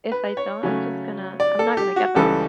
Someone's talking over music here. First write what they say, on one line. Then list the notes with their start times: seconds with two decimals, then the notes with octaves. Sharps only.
if I don't, I'm just gonna I'm not gonna get up.
0.12 B4
0.37 C#5
0.63 C#3 F#3 A3 C#4
1.40 D5
1.59 A4
1.77 G4
1.96 F#4
2.16 C#2 C#3 E3 G3 A4